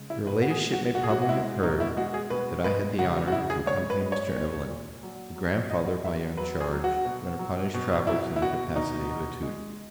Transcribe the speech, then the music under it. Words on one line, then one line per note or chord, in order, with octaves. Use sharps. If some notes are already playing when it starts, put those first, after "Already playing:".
Your Ladyship may probably have heard, that I had the honour to accompany Mr. Evelyn, the grandfather of my young charge, when upon his travels, in the capacity of a tutor.
Already playing: C#3 G#3
E4
B2 B4
F#4
G#4
G#3
F#4
B2 F#4
G#4
F#4
F#4
G#3 E4
B2 D#4
E4
G#3 F#4
G#4
B2 B4
G#3 B4
C#3 F#4
F#4
C#3 E4
G#4
G#3 C#5
B4
G#3
C#5
A#2
A#2
F#3
F#3
F#3 D#5
F#3 E5
F#3 B4
G#4
F#3
F#4
B2
F#3
B2
F#3 E4
E4
B2 F#4
B2 D#4
B2
G#3